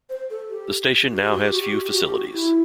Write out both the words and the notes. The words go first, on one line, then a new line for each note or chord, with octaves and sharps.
The station now has few facilities.
C5
A4
G4
F#4
G4
F#4
G4
F#4
G4
F#4
G4
F#4
G4
F#4
E4